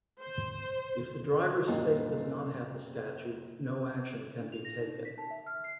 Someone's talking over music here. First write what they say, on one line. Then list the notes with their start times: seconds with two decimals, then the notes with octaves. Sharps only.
If the driver's state does not have the statute, no action can be taken.
0.20 C5
1.67 F#1 A#2 G3 D#4 F4 A4
4.39 D4
4.52 F7
4.65 A#6
4.79 D#4
5.05 B6
5.18 A5
5.31 E5
5.46 F6
5.64 C7